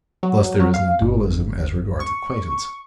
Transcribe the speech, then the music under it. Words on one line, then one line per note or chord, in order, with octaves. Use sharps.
Thus there is no dualism as regards acquaintance.
F#3
F#3
F5
G1
C#6